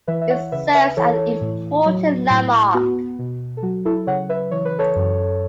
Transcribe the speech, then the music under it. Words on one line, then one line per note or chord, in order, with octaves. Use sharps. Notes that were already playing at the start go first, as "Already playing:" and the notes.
It serves as important landmark.
E3 B4 E5
E5
C#5 F#5
C#3 B4 E5
B4 E5
E3 A4 C#5
A2
F#3
A2
B3 F#4
B2
A4
F#3 F#4
E4 A4
C#3 C#5 F#5
B4 E5
E3 C#5
B4
A4 C#5
F#2